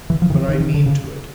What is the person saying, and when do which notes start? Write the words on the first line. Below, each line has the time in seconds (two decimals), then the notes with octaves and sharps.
But I mean to it.
0.10 E3
0.22 F3
0.30 D#3
0.34 E3
0.48 D#3
0.60 D#3
0.74 D3
0.86 C#3